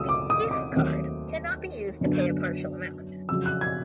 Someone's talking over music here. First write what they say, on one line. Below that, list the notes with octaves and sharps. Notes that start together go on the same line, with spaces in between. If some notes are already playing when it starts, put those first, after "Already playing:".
The Iff card cannot be used to pay a partial amount.
Already playing: C#2 F#3 A3 D#6 E6
D6
D#6
D6
D#2 D#3 F#3 A3 C4
F#2 D3 F#3 B3 D4
F2 C#3 F#3 E6
F#6
G#6